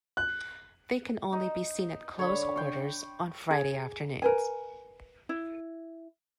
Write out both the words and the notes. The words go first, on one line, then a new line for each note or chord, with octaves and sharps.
They can only be seen at close quarters on Friday afternoons.
F#6
D#4
D3 C#5 B5 C#6
G5 C6 C#6
G#4
A#4 B4 G#5
E4